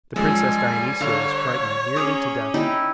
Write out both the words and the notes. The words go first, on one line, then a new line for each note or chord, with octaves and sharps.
The princess Dionysia was frightened nearly to death.
F#2 F3 G3 G#3 A4 G#5
D3 C#5 F5 A#5 E6
C#4 G#4 A#5 D6 D#6
D#4 E4 G4